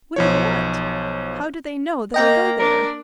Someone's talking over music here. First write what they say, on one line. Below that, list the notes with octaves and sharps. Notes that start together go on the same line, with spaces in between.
'Wouldn't what?--How do they know that I go there?'
B1 F3 C#5
A#3 D#5 G5 A#5
D4 A#4